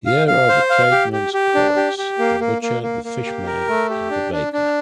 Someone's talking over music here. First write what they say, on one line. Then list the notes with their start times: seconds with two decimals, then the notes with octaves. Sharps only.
Here are the tradesmen's carts — the butcher, the fish-man and the baker.
0.06 F5
0.27 F5
0.49 C5
0.70 F5
0.91 G4
1.13 G4
1.34 G4
1.55 D4
1.76 G4
1.98 G4
2.19 A#3
2.40 A#3
2.62 A#3
2.83 A#3
3.04 A#3
3.26 G4
3.47 A#4
3.68 A3
3.90 G4
4.10 D4
4.32 D4
4.53 D4